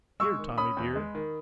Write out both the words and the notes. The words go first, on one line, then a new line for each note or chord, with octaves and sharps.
Here, Tommy, dear.'
G#3 C#6 E6
D#3
C#4 B5 D#6
E2
G#3
D#3